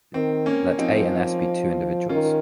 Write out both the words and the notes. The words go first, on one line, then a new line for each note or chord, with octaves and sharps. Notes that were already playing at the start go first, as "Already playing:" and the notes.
Let "a" and "s" be two individuals.
D#3 C4
A#3 C#4
F3 C4 D#4
D#3 C#4 F4